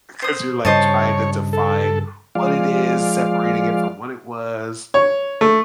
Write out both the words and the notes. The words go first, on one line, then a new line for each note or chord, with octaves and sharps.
'Cause you're like trying to define what it is, separating it from what it was.
C5 D#6
G2 C#3 G3 C5 C#5 D#5 A5
A4
F3 G#3 F4 D5 F5
C#5
A3